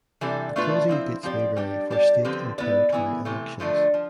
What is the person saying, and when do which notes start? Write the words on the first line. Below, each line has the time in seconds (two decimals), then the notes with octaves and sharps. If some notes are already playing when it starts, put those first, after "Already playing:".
The closing dates may vary for state and territory elections.
0.21 C3 E3 G3 D4 A4
0.56 B2 A3 D4 F4 B4
0.89 F3 C4 E4
1.23 F3 C4 G4 D5
1.57 G3 D4 G4
1.90 G3 D4 G4 D5
2.25 D3 F3 C4 G4 B4
2.58 B3 E4 B4 D5
2.92 E3 B3 E4
3.25 C3 E3 A3
3.60 D3 F3 A3 D4
3.94 F3